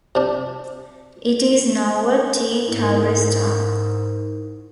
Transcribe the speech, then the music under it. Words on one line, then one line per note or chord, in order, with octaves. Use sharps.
It is now a T Tauri star.
C3 D4
G#2 E4 A#4